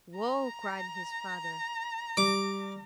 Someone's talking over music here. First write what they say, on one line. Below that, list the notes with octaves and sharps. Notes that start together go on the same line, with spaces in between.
"Whoa!" cried his father.
A#5
G3 D6